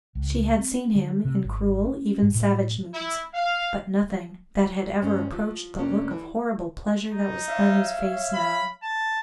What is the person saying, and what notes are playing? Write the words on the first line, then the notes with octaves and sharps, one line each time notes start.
She had seen him in cruel, even savage moods, but nothing that had ever approached the look of horrible pleasure that was on his face now.
C#2
C4
D3
C3
G#1
C#4
G#2
A2
E4
F5
G2 F#3 G#3 C#4 C5
F3
F2 C3 A#3 C#4 D4
E3
D#4
C#5 E5 F5
B5
A5